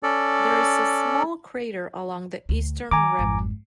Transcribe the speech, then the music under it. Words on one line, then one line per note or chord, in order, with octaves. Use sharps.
There is a small crater along the eastern rim.
C#4 A4 D5
D2
D#3 G#5 A#5 D6
G#1 F2